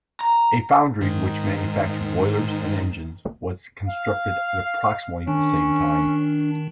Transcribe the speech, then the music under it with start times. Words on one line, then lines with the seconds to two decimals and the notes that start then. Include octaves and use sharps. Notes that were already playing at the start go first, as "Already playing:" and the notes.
A foundry which manufactured boilers and engines was constructed at approximately the same time.
0.21 A#5
1.01 G#2 D#3
3.88 F5
5.27 D#3 C#4 D4